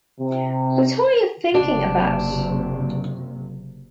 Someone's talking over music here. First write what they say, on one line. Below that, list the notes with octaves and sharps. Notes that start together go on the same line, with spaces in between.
What are you thinking about?
C3
F#1 C3 D4